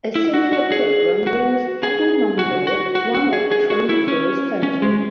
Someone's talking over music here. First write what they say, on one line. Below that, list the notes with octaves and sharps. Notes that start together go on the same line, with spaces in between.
A similar programme was "Every Number One of the Twenty-first Century".
E4
F#4
F#4
G#4
F#4
G#4
F#4
F#4
F#4
F#4
G#4
G#4
F#4
E4
C#4
C#4
G#3